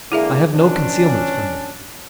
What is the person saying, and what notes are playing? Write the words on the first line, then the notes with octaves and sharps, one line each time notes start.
I have no concealments from you.
D3 G#3 A#3 E4 G#4 E5
C#4 D4